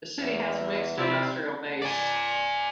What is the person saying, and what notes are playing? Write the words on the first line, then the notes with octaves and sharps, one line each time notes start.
The city has a mixed industrial base.
E2
C3 C4 E4 F4 D5
D5 G#5